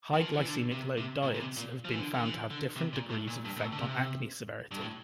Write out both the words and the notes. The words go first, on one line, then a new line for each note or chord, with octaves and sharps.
High-glycemic-load diets have been found to have different degrees of effect on acne severity.
E3
F3
E3
D3
C3
C3
A#2
A#2
C3
A#2
F3
E3
D3
D3
E3
D3
C3
A#2
A2
A#2
G2
A#2
A2
D3
C3
G2
A2